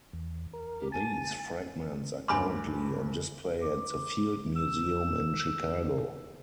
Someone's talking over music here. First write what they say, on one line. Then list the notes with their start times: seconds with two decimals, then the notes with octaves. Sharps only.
These fragments are currently on display at the Field Museum in Chicago.
0.13 E2
0.53 A#4
0.81 G4
0.92 G#5 A5
2.28 D2 G2 G#5 B5 C6 D6
3.62 D6
4.56 E6